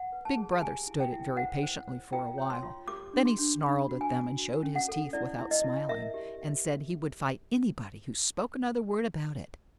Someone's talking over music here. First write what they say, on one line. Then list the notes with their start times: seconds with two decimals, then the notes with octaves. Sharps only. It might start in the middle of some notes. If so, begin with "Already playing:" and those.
Big Brother stood it very patiently for a while; then he snarled at them, and showed his teeth without smiling, and said he would fight anybody who spoke another word about it.
Already playing: F#5
0.12 B4
0.25 A5
0.37 G#4
0.52 A5
0.62 G4 G#5
0.87 E4
1.00 G5
1.12 E4
1.37 C5 F#5
1.63 C5
1.88 C5
2.13 F4 G5
2.38 C#5
2.50 C6
2.63 F4
2.88 G4 D6
3.14 D4
3.26 C6
3.38 D4
3.63 D4 B5
3.89 F#4
4.01 G#5
4.14 F#4
4.38 F#4
4.63 C#4
4.76 F#5
4.88 A4
5.13 E4 D5
5.39 E4
5.51 D#5
5.64 E4
5.89 A#4 E5
6.14 G4